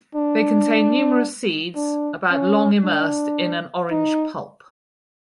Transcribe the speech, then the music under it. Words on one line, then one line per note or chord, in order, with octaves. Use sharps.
They contain numerous seeds about long immersed in an orange pulp.
D4
D4
C#4
D4
D#4